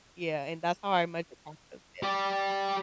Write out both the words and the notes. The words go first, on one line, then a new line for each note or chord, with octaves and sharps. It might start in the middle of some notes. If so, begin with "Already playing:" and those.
Yeah, and that's how I measure progress, yeah.
G4 D5